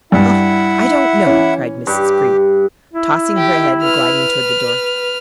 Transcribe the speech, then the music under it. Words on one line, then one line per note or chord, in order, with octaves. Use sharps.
"Oh, I don't know," cried Miss Greeb, tossing her head and gliding towards the door.
G2 E4 E5 F#5
E3 C#4
G2 G4
E4
G4
B4 F6